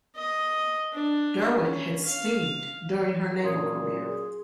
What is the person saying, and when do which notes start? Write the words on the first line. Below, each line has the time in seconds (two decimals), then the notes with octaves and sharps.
"Derwent" had steamed during her naval career.
0.16 D#5
0.93 D4
1.59 C#4
2.06 F5
3.43 F#2 A#2 C6 D#6 G#6
4.05 G#4